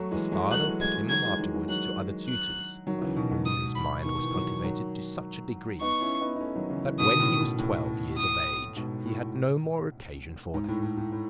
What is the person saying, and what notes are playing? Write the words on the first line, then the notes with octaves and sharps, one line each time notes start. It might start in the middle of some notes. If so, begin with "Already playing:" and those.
His father put him afterwards to other tutors, by whom his mind was cultivated to such a degree, that when he was twelve years of age he had no more occasion for them.
Already playing: F#3 A3
E3 G#3
F#3 A3
F#3 A3 F#6
E3 G#3
E3 G#3 G#6
E3 G#3
D#3 F#3 G#6
E3 G#3
E3
D#3 F#3
D#3 F#3
D#3 F#3 F#6
F#6
D#3 F#3
C#3 E3
B2 D#3
G#2 B2
D#6
B5
B2 D#3 C#6
E3
D#3 F#3
D#3 F#3
B3 D#4 C#6
C#4 E4
B3 D#4
D#4
A3 C#4
D#3 F#3
C#3 E3
C#3 E3
B2 D#3 D#6
A2 C#3
A2
A2
D#6
G#2 B2
A2
G#2
A2
A2
A2
A2